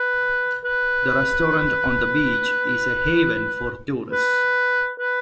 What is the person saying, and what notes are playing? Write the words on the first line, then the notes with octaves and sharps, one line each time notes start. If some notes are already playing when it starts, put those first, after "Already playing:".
The restaurant on the beach is a haven for tourists.
Already playing: B4
B4
B4
B4